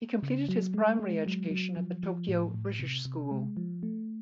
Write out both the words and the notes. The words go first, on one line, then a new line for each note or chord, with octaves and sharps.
He completed his primary education at the Tokyo "British School".
C#3
F#3
G#3
G#3
F#3
F#3
F3
F3
A2
A2
C3
C3
G#3
F3
A3